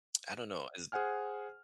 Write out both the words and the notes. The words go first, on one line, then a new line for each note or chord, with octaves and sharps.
I don't know, is d
G#4 C5 F#5 G#5 F6